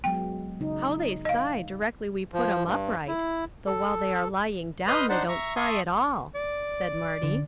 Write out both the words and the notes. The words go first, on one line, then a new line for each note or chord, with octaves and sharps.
"How they sigh directly we put 'em upright, though while they are lying down they don't sigh at all," said Marty.
F#3 G#3 B3 G5
C#3 D#4
D#5 F5
F3
G2
E4
A4
B4 D#5 C6 D#6 F6 G6
D4 D#4 C5 F#5 A5
E5 A#5 C#6
E5 A5 C6 C#6 D#6
D5
D3